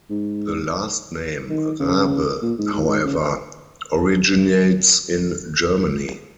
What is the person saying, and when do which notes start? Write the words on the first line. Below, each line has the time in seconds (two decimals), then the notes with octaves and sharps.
The last name "Rabe", however, originates in Germany.
0.10 G#2
1.49 D#3
1.80 C#3
2.42 A#2
2.58 G#2
2.73 G#2
2.82 A#2
2.88 G#2
3.04 C#3